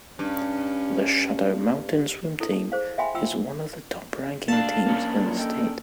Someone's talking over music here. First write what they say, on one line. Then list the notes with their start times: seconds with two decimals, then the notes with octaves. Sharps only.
The Shadow Mountain swim team is one of the top-ranking teams in the state.
0.19 G2 C#4
2.40 E4 A4
2.52 A5
2.72 G#4 C5 F5
2.98 E5 F5 G5 G#5 B5 C6
3.15 F4 G5 E6
4.48 A3 D4 F5 A5
4.86 A#3 C#4 D4
5.21 F#3 G3 F4
5.38 A4 D#5 G5